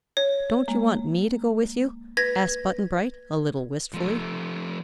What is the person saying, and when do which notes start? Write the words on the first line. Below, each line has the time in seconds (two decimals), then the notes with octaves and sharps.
"Don't you want me to go with you?" asked Button-Bright, a little wistfully.
0.17 C#5
0.68 G#3 A#3
2.17 B4 G#6 A#6
3.94 F3 A3